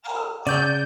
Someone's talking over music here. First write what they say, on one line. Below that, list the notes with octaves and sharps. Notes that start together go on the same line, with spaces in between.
Oh god!
C#3 D5 G6